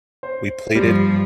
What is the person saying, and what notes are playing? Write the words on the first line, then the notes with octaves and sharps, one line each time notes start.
We played it
C5
G2 F3 G3